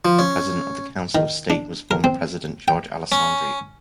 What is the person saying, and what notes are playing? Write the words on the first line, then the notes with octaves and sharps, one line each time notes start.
The President of the Council of State was former President Jorge Alessandri.
F3
C#4
D#3
D4
A#4
C4
G5
C#4